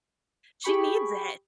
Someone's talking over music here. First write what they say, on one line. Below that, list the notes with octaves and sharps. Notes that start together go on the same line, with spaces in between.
she needs it."
G4 G#4 G5 B5 C#6